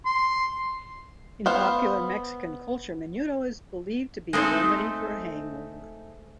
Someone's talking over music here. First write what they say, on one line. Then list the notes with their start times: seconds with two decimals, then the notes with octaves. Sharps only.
In popular Mexican culture, Menudo is believed to be a remedy for hangover.
0.06 C6
1.46 B3 C5 F5
4.33 G#3 A3 B3 C4 D#4